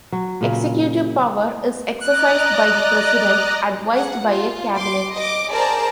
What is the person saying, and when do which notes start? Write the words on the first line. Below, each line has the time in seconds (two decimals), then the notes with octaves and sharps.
Executive power is exercised by the President, advised by a cabinet.
0.12 F#3
0.41 A#2 C#3
2.01 D5 D#5 A#5 F#6
3.93 G#4 F#5
4.26 F4
4.75 C6 D6
5.14 D#5 D6
5.50 G#4 A#4 C5 D5 A5 A#5